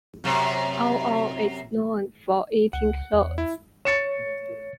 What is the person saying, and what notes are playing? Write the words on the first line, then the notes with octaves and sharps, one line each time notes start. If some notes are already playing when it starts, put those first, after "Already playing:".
Ao Ao is known for eating clothes.
F#2 C3
C#2 F#5
E2
E4
C#5 A6 C#7 E7